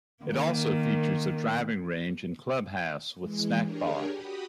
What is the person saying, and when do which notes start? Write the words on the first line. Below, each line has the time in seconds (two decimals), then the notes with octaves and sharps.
It also features a driving range and clubhouse with snack bar.
0.24 D#3 A#3
3.20 E3 G#3
3.62 D4 G4 G#4 A#4 C#5
4.10 F#4 G4 B5 D#6